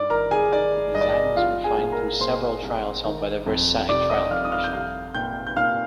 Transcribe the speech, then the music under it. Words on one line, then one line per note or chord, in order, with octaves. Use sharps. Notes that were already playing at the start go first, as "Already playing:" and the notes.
The design was refined through several trials held by the Versailles Trial Commission.
Already playing: G2 D5 D6
D#3 A#4 A#5
G#4 G#5
D#3 D5
G2 D#5
D5
D#5
C2 F4 F5
G#4 G#5
A#2
A#4 A#5
A#2 C5 C6
C2
D#3
F2
C3 D5 D6
D#5 D#6
F2 F5 F6
D#6
F5 F6
G6
C2 F5 F6
A#2 G5 G6
G6
A#2 F5 F6